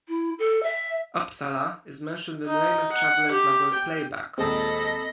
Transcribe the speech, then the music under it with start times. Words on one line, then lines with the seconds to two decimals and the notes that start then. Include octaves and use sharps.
Uppsala is mentioned in Raymond Chandler' s novel "Playback".
0.08 E4
0.39 A4
0.63 E5
2.46 D#4
2.92 F#5
3.31 G4
3.74 G5
4.38 D#2 A#2 G#3 C4 A4 D#5 A5 B5